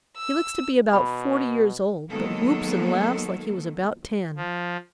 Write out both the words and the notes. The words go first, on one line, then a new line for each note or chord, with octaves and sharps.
He looks to be about forty years old, but whoops and laughs like he was about ten.
E6
B2 B5
D#3 F#3 G#3 A#3 B3 A4
F3